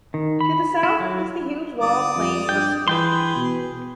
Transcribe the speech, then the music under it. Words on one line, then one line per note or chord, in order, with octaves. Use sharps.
To the south is the huge walled plain Hertzsprung.
D#3
B5
E4
F#3
G1 D5 D6 D#6
F2
G2 G5
E3 G#4 B4 G5 C6
B2